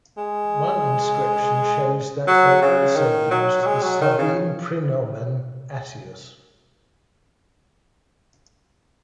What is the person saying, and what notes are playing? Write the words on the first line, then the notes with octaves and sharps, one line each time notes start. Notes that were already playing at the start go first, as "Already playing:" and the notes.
One inscription shows that they also used the Sabine praenomen "Attius".
G#3
F#3
C#3
D#3
F#3
F#3
G#3
F#3
D#3
C#3